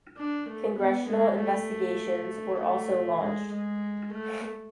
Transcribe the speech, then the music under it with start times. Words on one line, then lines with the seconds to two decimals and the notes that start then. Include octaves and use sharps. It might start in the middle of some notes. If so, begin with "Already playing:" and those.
Congressional investigations were also launched.
0.17 D4
0.48 A3
0.78 B3
1.09 G#3
1.39 A3
2.60 A3
3.21 G#3
3.51 G#3
4.12 A3